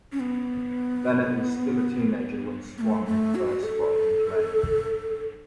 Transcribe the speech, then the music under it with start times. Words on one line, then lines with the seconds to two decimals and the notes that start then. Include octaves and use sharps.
Bennett was still a teenager when Swan had first spotted him playing.
0.12 C#4
0.20 B3
2.78 B3
2.81 A3
3.06 A3
3.35 F#4
3.63 A4